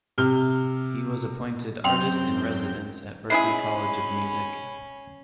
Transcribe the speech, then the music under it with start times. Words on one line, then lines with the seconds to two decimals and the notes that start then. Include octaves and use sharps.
He was appointed artist in residence at Berklee College of Music.
0.18 C3 F6 G7
1.84 F#2 C4 G5 C6 G6 F7
3.30 G#3 C#4 E4 G#4 B5 C7